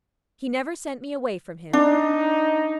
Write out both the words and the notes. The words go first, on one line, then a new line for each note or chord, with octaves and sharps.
He never sent me away from him.
D4 D#4